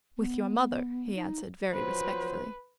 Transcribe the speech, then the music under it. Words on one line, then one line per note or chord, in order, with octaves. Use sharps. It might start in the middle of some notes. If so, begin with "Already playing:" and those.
"With your mother," he answered very respectfully.
B3
D#4
F3 F#3 B4 C5